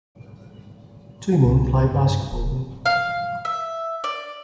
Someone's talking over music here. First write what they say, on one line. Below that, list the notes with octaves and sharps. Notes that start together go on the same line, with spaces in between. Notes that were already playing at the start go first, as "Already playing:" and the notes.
Two men play basketball.
C2
G2
D#1
C3
F5
E5
D5